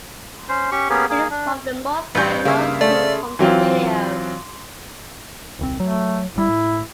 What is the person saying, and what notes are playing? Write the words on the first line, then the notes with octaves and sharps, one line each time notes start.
It is one of the most well-known scenes from the video.
C#4 C5
C#4 G4 C#6
A#3 B3 C#4 G4 G#4
A#3 G#4
D4
A1 G2 B4 G6
C#3 A#3 E5 F5
A3 D5
E3 F#3 C4 F4
D#1 C2 C4
F#3 A3
G1 G3 E4
A2